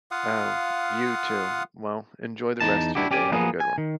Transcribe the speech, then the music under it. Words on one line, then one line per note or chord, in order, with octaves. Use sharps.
Oh, you too. Well, enjoy the rest of your day, have a good one.
F4 F5 F#5 D#6
E2 D#4 A5
D4 E4 F#4 G4
C#4 G4 D5 G#5
F3 A#3 B3 G#4
G#5
D#3